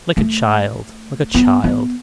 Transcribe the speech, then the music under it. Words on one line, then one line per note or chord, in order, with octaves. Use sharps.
Like a child, like a child.
A3
B3
B3